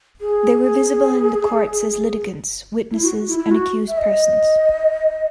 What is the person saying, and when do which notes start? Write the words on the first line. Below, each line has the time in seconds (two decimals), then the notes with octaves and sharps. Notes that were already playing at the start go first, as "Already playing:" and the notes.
They were visible in the courts as litigants, witnesses and accused persons.
0.21 G#4
2.92 E4
3.04 F#4
3.28 E4
3.39 E4
3.51 F#4
3.88 E5
3.98 D#5